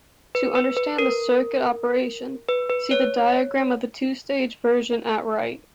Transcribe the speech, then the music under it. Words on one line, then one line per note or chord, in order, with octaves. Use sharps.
To understand the circuit operation, see the diagram of the two-stage version at right.
B4
B4
B4
A#4
B4
B4
C#5